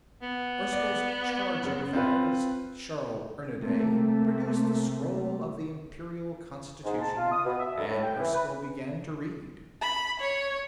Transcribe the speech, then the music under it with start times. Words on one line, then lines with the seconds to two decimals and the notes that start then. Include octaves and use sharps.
Erskyll's charge-d'affaires, Sharll Ernanday, produced the scroll of the Imperial Constitution, and Erskyll began to read.
0.23 B3
0.73 D5
1.63 F#2 C#3
1.93 C4 F4 B4
3.62 C3 A3 A#3 C4
6.84 G#2
7.01 A5
7.17 F4
7.32 D#6
7.45 B2
7.59 E5
7.77 D2
7.89 A2
8.03 G5
8.18 E3
8.34 B4
9.81 B5
10.20 C#5